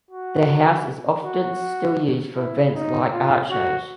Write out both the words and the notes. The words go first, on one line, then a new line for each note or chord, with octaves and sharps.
The house is often still used for events like Art Shows.
F#4
F#4
E4
D#4
F4
F#4